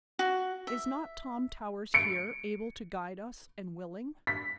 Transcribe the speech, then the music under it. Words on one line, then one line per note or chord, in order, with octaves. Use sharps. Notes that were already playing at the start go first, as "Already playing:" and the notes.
Is not Tom Towers here, able to guide us and willing?
F#4
E5
C#7 D7
B6